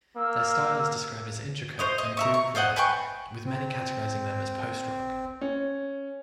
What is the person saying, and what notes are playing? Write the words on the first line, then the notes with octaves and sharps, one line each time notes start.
Their style is described as intricate and groove-led with many categorizing them as post-rock.
A#3 E6 F6
C5 C#5 D#5
D#5
A#4 E5 C#6
C#6
F4 C5 D#5 F#5
B4 G5 G#5 C#6
C4
C#4